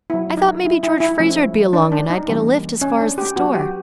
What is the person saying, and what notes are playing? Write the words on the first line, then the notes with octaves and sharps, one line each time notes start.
"I thought maybe George Fraser'd be along and I'd get a lift as far as the store."
F#3 B3 E4
D#4
E4
E4
E4
F3 A3 C#4
D4
D4
D#4
E3 G3 A#3 C#4
C#4
D4
G4
F#3 B3 F#4
G4